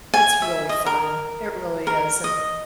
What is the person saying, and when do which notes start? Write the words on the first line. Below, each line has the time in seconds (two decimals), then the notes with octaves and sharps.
it's really fun, it really is, and
0.14 G#5
0.42 E5
0.69 D#5
0.86 A#4
1.87 A#4
2.24 D#5